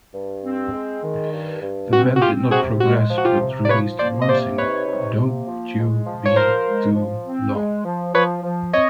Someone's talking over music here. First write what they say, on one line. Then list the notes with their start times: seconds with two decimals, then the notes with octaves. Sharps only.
The band did not progress but released one single, "Don't You Be Too Long".
0.14 G2
0.43 C4
0.73 G#3
1.03 D#3
1.32 G2
1.62 G2
1.92 C4 F#4
2.16 F#4
2.21 C4 F4 G4
2.51 C3 F#4 G#4
2.80 G#3 F#4
3.10 F3
3.18 F#4
3.25 F4 G4
3.40 C3
3.65 D5
3.69 F3 B4 C#5
3.99 A#3 C5 D5
4.22 D#5
4.29 C3 C5 D5
4.58 D#4 B4 C#5
4.88 C3
5.18 A#3
5.48 F3
5.78 G#3
6.06 F3
6.25 C#5
6.36 F3 A#4 C5
6.66 G#3
6.95 F3
7.25 C4
7.55 G#3
7.85 F3
8.14 F3 B4 C#5
8.43 F3
8.73 C4 C#5 D#5